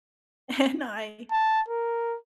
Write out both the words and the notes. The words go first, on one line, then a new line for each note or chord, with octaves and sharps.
and I
A5
A#4